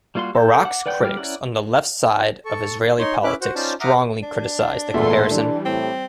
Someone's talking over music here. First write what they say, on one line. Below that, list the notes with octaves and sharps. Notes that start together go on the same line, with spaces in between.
Barak's critics on the left side of Israeli politics strongly criticised the comparison.
G3 A#3 F4 F#4 C6
A4 G6
F#5 D6
B4 D5 F#5 G5 G6
G3 G4 G5 D6 F6
C#4 E4 A#4 D5 F#5
A4 C#6
D#4 C#5 C6
C#4 E4 B4 E5 D6 F#6
F#4 C5 F#5
C#4 D#4 F4 C5 D5 A5
E5 F#5 A#5 D6 D#6 F6
D4
E2 A#2 A3 E4 F4 A4 C6
E3 G3 D4
A2 C4